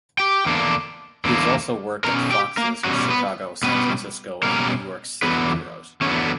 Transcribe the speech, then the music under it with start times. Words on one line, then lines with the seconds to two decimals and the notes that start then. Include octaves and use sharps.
He has also worked at Fox's Chicago, San Francisco, and New York City bureaus.
0.19 G4 G5
0.45 E2 D3 A#3 D4
1.25 E2 D3 A#3 D4
2.04 B2 G3 C#4 A#4 A#5
2.30 G4 G5
2.57 A#3 A#4
2.84 B2 G3 C#4 F#4
3.10 B3 B4
3.63 B2 G3 B3 C#4 B4
4.43 B2 G3 A#3 C#4 A#4
5.23 E2 D3 F#3 B3 B4
6.01 E2 D3 F#3 B3 C#4 C#5